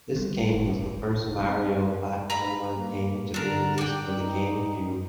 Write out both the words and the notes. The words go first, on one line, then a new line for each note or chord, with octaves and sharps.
This game was the first "Mario" platformer game to be released for the GameCube.
G3
G3
G1
C#3
G#3
F4
G#2
F1
C4
A#5 B5
A#3
D3 D4 A#4
D5 G5
D#4